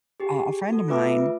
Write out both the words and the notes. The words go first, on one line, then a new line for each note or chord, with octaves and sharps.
uh, a friend of mine,
G4 G#4
F#4 A4
A3 F4 B4 E5 D6